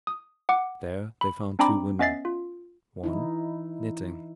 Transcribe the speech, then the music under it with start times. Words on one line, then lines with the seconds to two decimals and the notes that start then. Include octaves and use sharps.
There, they found two women; one, knitting.
0.07 D#6
0.49 F#5 D6
1.21 B5
1.59 C4 D4 G5 A#5 B5 D6
1.99 B3 C#4 D#5 E5 A6 C7
2.25 F4
3.04 E3 D#4 E4